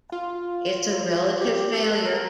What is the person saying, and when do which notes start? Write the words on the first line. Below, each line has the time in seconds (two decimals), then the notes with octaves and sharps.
It's a relative failure.
0.12 F4
1.41 G4
1.74 A4
2.06 A#4